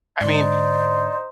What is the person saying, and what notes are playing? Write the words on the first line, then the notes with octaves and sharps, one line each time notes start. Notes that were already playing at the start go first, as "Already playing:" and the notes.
I mean,
G#2 D3 D#4 C5 D5